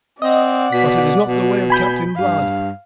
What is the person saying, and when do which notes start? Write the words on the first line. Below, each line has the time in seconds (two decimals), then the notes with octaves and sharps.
But it is not the way of Captain Blood.
0.22 C4 D5 D#5 F#5
0.72 B2 B6
1.22 B2
1.70 G#5 B5 G6
2.17 G2 F5